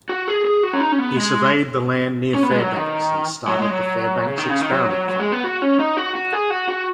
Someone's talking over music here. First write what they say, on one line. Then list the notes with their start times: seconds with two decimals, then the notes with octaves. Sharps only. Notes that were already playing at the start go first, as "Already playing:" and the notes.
He surveyed the land near Fairbanks and started the Fairbanks Experiment Farm.
0.09 F#4
0.28 G#4
0.45 G#4
0.63 F#4
0.73 C#4
0.80 D#4
0.92 C#4
0.99 B3
1.16 G#3
2.35 C#4
2.43 B3
2.51 G#3
2.59 F#3
2.76 D#3
3.48 F#3
3.59 G#3
3.70 F#3
4.26 C#3
4.38 D#3
4.50 C#3
4.61 D#3
4.73 F#3
4.90 F#3
5.09 F#3
5.20 G#3
5.32 B3
5.44 F#4
5.62 C#4
5.80 D#4
5.97 F#4
6.15 F#4
6.33 G#4
6.50 F#4
6.69 F#4